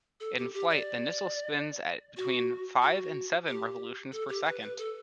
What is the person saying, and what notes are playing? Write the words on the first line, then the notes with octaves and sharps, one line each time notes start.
In flight, the missile spins at between five and seven revolutions per second.
A4
G4
G4
D5
F#4
F#4
G4
A4
G4
B4
B4
A4